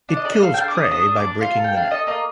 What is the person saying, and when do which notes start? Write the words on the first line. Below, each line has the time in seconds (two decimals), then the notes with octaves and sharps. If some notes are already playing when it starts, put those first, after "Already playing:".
It kills prey by breaking the neck.
0.09 D4
0.17 D#5
0.24 A4 D5
0.32 D#5
0.41 A4 F5
0.54 G5
0.58 D4 F5
0.68 D6
0.75 D4 D#6
0.91 A4 D#6
1.08 D4
1.16 D6
1.24 D4
1.41 F4 F5
1.57 A4
1.64 G5
1.74 D4 F5
1.91 A4 D#5
2.07 A#3 D#5